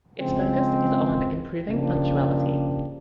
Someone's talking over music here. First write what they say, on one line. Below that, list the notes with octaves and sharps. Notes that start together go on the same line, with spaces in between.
Its focus is on improving punctuality.
C#3 F3 G#3 C4
C#3 F3 A#3 D4 G4